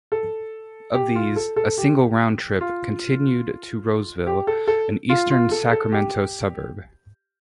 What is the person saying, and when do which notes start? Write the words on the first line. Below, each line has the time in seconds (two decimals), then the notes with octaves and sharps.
Of these, a single round-trip continued to Roseville, an eastern Sacramento suburb.
0.12 A4
0.94 G4
1.15 F4
1.36 A4
1.56 A4
1.78 G4
2.61 F4
4.27 G4
4.47 A4
4.68 A4
5.09 F4
5.30 F4
5.51 A4
5.72 A4
5.92 G4